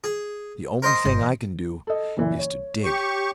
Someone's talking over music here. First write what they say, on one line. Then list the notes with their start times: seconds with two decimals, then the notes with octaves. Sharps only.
The only thing I can do is to dig.'
0.04 G#4
0.82 A#4 C5 D#5
1.05 G1 F2
1.19 E3
1.87 A4 D#5
2.17 F#1 A#2 E3
2.39 C#5
2.84 G4 C#6